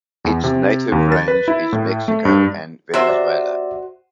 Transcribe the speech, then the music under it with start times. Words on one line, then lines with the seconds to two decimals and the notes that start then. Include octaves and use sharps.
Its native range is Mexico and Venezuela.
0.25 E2
0.44 C3
0.92 D#2
1.12 A6
1.28 B4
1.48 E4
1.73 A2
2.08 A3
2.25 G2
2.94 C3 F#4 C5 E5
3.09 D5